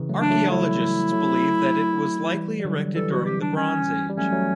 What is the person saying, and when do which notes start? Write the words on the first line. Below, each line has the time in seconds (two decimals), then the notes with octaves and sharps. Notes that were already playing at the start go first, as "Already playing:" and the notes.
Archaeologists believe that it was likely erected during the Bronze Age.
Already playing: C#3 E3
0.09 F#3 A3
0.20 D4
0.30 F#3 A3
0.43 G3
0.50 F#3 A3 E4
1.12 F#3 A3
2.34 E3 G3
2.59 G3
2.65 D3 F#3
2.95 E3 G3 A4
3.11 F#4
3.26 G4
3.41 D4
3.56 C#4
4.10 G3
4.17 F#3 A3 C#4
4.32 F#3 A3